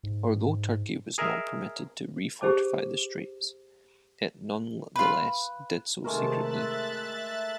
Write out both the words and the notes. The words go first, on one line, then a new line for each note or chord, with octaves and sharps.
Although Turkey was not permitted to refortify the Straits, it nonetheless did so secretly.
G#2
G#4 A#4 D#5 E5
G4 G#4 C5 A5 D6
F4 B4
C3 D#3 G#3 A3 A#4 A5
E5 F#6 A6